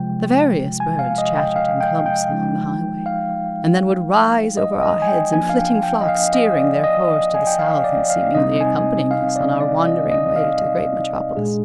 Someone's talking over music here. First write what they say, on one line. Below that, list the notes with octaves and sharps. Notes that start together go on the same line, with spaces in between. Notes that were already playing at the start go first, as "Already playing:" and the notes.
The various birds chattered in clumps along the highway, and then would rise over our heads in flitting flocks, steering their course to the south and seemingly accompanying us on our wandering way to the great metropolis.
Already playing: C3 F3 G#3 G5
G#5
F5
D#5
G5
F5
G5
G5
F3 G#3 D#4
F5
D#5
D#5
G#5
G5
F3 A#3 D4 G#5
F5
G5
G5
D#5
F5
D#5
D5
D#5
G#5
G5
F5
D5
F5
C3 G3 C4 D#4 D#5
G#5
F5
D5
D5
D#5
D#5
F5
A#2 G#3 D4 G#4